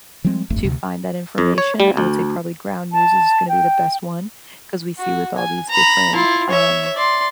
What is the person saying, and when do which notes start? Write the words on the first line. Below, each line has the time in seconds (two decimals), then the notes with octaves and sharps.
to find that information. I would say probably Ground News is gonna be the best one 'cause we see with all these different, um
0.24 F3 G3 G#3 C4
0.50 D1 G1 F2 A3
0.65 D2 C3
1.38 F2
1.58 C#5
1.80 G3
1.97 D2
2.92 A5
3.48 G5
4.98 F#4
5.37 G#5
5.69 A#5 B5
6.15 E4 F4
6.50 C#5 E5
6.96 D5 C6